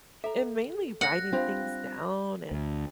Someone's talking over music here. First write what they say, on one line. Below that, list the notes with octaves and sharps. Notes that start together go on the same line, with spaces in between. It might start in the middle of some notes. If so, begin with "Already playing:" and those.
and mainly writing things down, and
A4 E5 A#5
F#5 F#6 A#6
G3 C4 D4 F4 C5 F5
D2